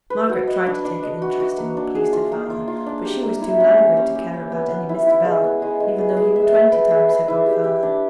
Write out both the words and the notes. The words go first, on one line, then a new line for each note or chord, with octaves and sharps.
Margaret tried to take an interest in what pleased her father; but she was too languid to care about any Mr. Bell, even though he were twenty times her godfather.
B4
F#4
D#5
D4
D4
D#5
F#4
F#4
A#3
D4
G#4
F4
A#3
F4
F4
D4
G4
A#3
E4
C#4
G4
C#4
G4
C#4
B3
B3
E4
E4
G#3
B3
G#3
G#3
G#4
G#4
E5
E5
B4
G#4
B4
E4
G4
G4
D4